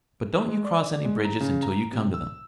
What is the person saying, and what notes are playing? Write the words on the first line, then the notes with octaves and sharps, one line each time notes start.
But don't you cross any bridges until you come to them.
G#3
D5
D5
G#3
A#5
C#3
A#5
C3
E6